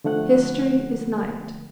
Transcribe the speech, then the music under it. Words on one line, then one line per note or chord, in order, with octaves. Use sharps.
History is night.
D3 F3 A3 F#5 F#6